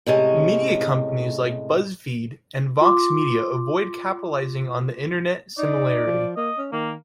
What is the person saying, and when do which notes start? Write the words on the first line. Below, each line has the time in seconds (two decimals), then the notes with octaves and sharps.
Media companies like BuzzFeed and Vox Media avoid capitalizing the "internet" similarly.
0.07 A2 C3 G#3 C#4
2.81 F4 C6 D6
5.58 D#4 D5
6.07 F3
6.36 A#3 D#5
6.58 C#4
6.72 D#3 A#3